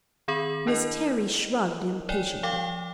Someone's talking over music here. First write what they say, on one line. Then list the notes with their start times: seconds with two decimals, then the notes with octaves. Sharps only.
Miss Terry shrugged impatiently.
0.28 D#3 C4 G#4 B5 F#7
0.67 D4 E4 A#4 D#5
2.09 C#5 D5 G5 G#5
2.43 F3 F5 G5 D6